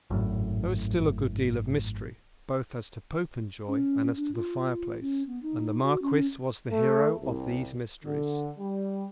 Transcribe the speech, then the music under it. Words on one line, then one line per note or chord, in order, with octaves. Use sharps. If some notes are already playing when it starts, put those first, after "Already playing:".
There was still a good deal of mystery, both as to Popenjoy and as to the fireplace, and the Marquis was the hero of these mysteries.
G#1 F#2 A2
C#4
D4
F4
C#4
B3
D#4
F#4
C#4
A3
C2
D3
G3